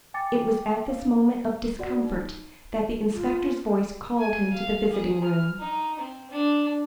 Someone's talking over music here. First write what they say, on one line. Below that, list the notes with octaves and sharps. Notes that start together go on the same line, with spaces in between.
It was at this moment of discomfort that the inspector's voice called him to the visiting-room.
G5 G#5 D6 A6 C#7
F5
F#4 D5 F#5
D#4
F4
G#5
F5
G#4
F6
D#4
C4
D4